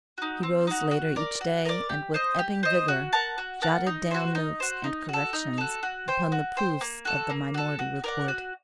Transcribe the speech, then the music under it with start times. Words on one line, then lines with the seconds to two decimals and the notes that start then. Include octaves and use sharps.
He rose later each day and with ebbing vigour, jotted down notes and corrections upon the proofs of the Minority Report.
0.18 D#4 F#4
0.43 C4
0.67 D#4 F#4
0.91 F#4
1.16 A#4 D5
1.41 F#4
1.65 A#4 D5
1.89 G4
2.14 C5 D#5
2.39 G4
2.63 C5 D#5
2.88 F#4
3.13 A#4 F#5 A5
3.38 F#4
3.62 A#4 F#5 A5
3.87 D#4
4.11 F#4 C5
4.35 D#4
4.60 F#4 C5
4.84 D#4
5.09 F#4 A4
5.33 D#4
5.58 F#4 A4
5.83 F#4
6.08 C5 G5
6.32 F#4
6.57 C5 G5
6.81 A#3
7.05 F#4 A4
7.30 A#3
7.54 F#4 A4
7.79 F#4
8.04 A#4 D5 F#5
8.28 F#4